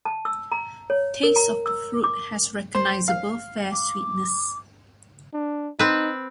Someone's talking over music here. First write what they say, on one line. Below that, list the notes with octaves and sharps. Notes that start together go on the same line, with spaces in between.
Taste of the fruit has recognizable fair sweetness.
A5
E6
A#5
C#5
A#4
A#5
E6
D6
C5
F5
D6
D4
C4 D#4 B4